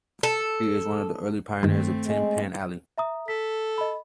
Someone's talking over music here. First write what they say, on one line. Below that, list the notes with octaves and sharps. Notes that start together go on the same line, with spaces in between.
He is one of the early pioneers of Tin Pan Alley.
A4
G2 D#3 A3 C4
G#3
E5 A#5 D#6
A4 B6
D#5 B5